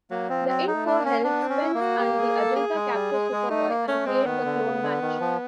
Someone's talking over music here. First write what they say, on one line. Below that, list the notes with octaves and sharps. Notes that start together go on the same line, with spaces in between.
The info helped Spence and the Agenda capture Superboy and create the clone Match.
F#3 A#3
F3 C4
F#3 C4
D#4
A3
D4
A#3
C#4
B3 D4
C4
C#4
E4
A#3
F#4
G4
G#4
A4
G#4
G#3
G3
G#3
G#3
A3 D#4
A#3
A3 C#4
G#3 C4
D#3 B3
D3
C#3
D3
D#3
F3